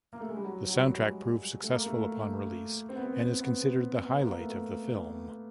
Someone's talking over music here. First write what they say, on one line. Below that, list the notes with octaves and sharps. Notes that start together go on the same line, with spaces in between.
The soundtrack proved successful upon release and is considered the highlight of the film.
A#3
A3
G#3
G3
F#3
F#3
G3
G#3
A3
A#3
A3
C4
B3
C4
B3
B3
A#3
A3